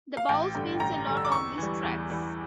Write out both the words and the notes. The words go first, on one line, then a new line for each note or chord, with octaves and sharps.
The bowl spins a lot on these tracks.
F5
A1 G5
G2 D3
A1 A#5
G2 D3
E6
D6
E2 C#6
E3 G3
E2
E3 G3